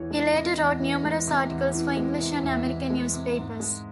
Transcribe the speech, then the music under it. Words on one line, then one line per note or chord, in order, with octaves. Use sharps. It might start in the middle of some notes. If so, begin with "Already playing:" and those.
He later wrote numerous articles for English and American newspapers.
Already playing: E2 E3 C#5
G#3
C3 D#5
E2
E3
G#3
C3
E2
E3
G#3
C3
E2 E5
E3
G#3
C3
G#2
G#3